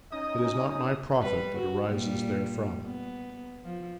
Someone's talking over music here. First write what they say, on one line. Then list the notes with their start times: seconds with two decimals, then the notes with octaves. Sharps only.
It is not my profit that arises therefrom.'
0.12 C#4 D#4 D#5 D#6
1.21 G3 B4
1.54 F#4
1.90 A#2 G3
2.85 B3
3.64 F3